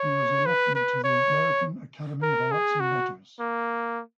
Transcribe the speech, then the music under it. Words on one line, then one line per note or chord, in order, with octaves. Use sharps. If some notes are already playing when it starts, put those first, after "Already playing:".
He was elected to the American Academy of Arts and Letters.
Already playing: C#5
B4
B4
C#5
A#4
G#4
F#4
A#3